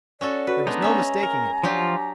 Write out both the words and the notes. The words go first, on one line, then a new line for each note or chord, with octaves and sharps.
There was no mistaking it.
C#4 F#4 A4 D5
F#4 B4
G#3 B3 D4 D#4 A#5
C#4 E5 G#5
A#4
F3 F#3 D4 F4 G4